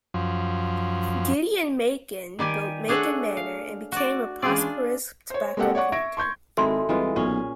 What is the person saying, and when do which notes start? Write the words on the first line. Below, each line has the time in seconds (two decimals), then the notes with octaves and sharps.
Gideon Macon built "Macon Manor" and became a prosperous tobacco planter.
0.14 F#2 F3
2.39 D#3 G3 G4 G#5
2.88 A3 D4 G#4 C#5 E5 F#5
3.37 F5
3.92 F#4 D5
4.42 E3 G#3 C#4 F4 G#4 D5
4.58 D4
5.30 C5 C#5
5.57 G#3 A#3 C4 G4 A4 F#5
5.75 C#5 D5 F#5 C#6
5.92 E5 C#6 G#6 A#6 D7
6.17 C6 C#6 G6 G#6
6.57 G#1 G#3 E4 F#4 A4 A#4 E5 C6
6.89 C2 E3 G#3 F4
7.16 B1 A#2 C#4 G#4